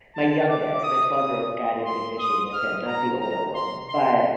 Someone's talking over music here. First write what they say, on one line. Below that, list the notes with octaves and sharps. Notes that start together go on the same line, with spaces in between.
my youngest, my twelve-year-old got into fishing with him, not the older one, but
A5
D6
D#6
D#6
C6
D#6
F6
A#5
A#5
C6
C6